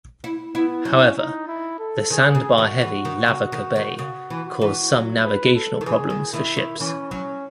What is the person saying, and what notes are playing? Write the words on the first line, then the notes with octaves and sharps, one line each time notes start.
However, the sandbar-heavy Lavaca Bay caused some navigational problems for ships.
E4
B3 E4
F#3 C#4
D#4
E4
A4
D#3 G#4
C#3
D#3 F#4
E3
D#3
C#3
D#3
D#3
C#3 F#4
E3
F#4
E3
F#3
B4
A4
D#3
E3 G#4
D#3
D#3 E4
D#3
E3 C#4
F#3 C#4